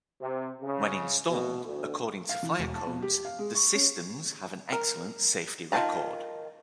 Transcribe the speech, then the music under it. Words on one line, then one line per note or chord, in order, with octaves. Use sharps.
When installed according to fire codes the systems have an excellent safety record.
C3
C#3
B2
D2
F5
E3
E1
A5
B2
G4
F5
G#3
C#6
C#4
A#4
D#3 F4 G#4 A5 A#5